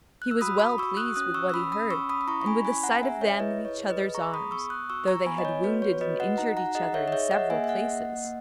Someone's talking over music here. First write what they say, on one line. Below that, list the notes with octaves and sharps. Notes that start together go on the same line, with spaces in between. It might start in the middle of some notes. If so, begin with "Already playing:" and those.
He was well pleased with what he heard and with the sight of them in each other's arms, though they had wounded and injured each other in several places.
F#6
E6
F#4 B5 D#6
B5 D#6
F#4 C#6 E6
D#6 F#6
C#4 D#6 F#6
C#6 E6
E6
C#4 B5 D#6
B5 D#6
C#4 C#6 E6
B5 D#6
B5
E4 A#5 C#6
C#6
G#5 B5
C#4 G#5 B5
F#5 A#5
G#4 E5 G#5
C#5 E5
E4 B4 D#5
C#5
G#4
B4 D#5
G#4 A#5 C#6
B5 D#6
B3 C#6 E6
D#6 F#6
F#4 C#6 E6
A#5 C#6
B3 G#5 B5
D#5
C#5
F#4 B4
C#5
F#4 B4 D#5
D#5 F#5
D#4 F#5 A#5
F#5 A#5
G#4 D#5 F#5
C#5 E5
D#5
G#4 C#5 E5
D#5 F#5
A#3 E5 G#5
E5
D#5 F#5
A#3
A#3